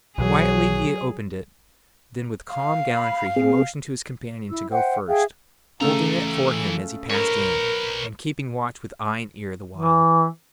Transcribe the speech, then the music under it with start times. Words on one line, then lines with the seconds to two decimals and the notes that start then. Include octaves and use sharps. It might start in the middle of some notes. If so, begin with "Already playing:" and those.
Quietly he opened it, then with calm gallantry he motioned to his companion to go first, holding it for him as he passed in, and keeping watch with eye and ear the while.
0.18 B1 B2 E3 F#3 G#4
2.52 F5
2.95 B5
3.36 C4 G#4
4.49 E4 E6
4.71 C5 E5 F#5 G5
5.07 G#4 E5 F5 G5
5.81 C#3 E3 A3 A#5
7.10 A#4 B4 C#5
9.77 E3